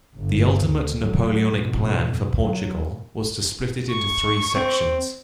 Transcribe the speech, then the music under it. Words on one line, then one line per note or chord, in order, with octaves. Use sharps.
The ultimate Napoleonic plan for Portugal was to split it into three sections.
G1
D2
F#3
F2 G#2 B2
F#3
C#6
C4